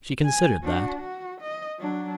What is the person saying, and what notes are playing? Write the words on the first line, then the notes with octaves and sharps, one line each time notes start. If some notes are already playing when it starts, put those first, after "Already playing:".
She considered that.
G#5
D4 F#4
F#4
D#5
F#3 D4